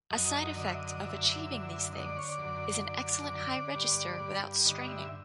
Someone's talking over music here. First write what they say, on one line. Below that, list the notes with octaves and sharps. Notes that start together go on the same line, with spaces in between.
A side effect of achieving these things is an excellent high register without straining.
F#2 D#5
D3 D#5
E5
D#5
D#5
F#2 E5
D3
D3 D#5
D5
C#5
D5
F#2
D3
D3
G2
G2
D3 D#5
E5